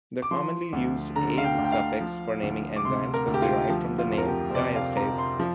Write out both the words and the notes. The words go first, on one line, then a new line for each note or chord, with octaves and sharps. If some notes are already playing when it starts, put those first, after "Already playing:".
The commonly used -ase suffix for naming enzymes was derived from the name diastase.
D6
F3 C6
D2
D3 A#5
F5
G5
D2
G5
F5
F3
D2
D6
C3 C6
A#4
D2
G4
F4
F3
F4
F2
A#4
G4
C5
C3 D5
F5
F2 A#5
C6
F3